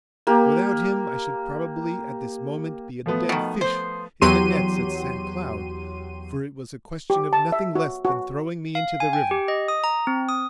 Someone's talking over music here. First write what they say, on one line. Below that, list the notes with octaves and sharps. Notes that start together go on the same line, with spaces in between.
Without him I should probably at this moment be a dead fish in the nets at Saint Cloud, for it was a question of nothing less than throwing me into the river.
A#3 G4
F3 A3 B3
B2 D#3
C5
E2 F#3 G4 C6 D#7
G4
A5
E5
F#4
F#4
F5
G#5
G5
G4
D#5
D#6
A#5
C4
D#6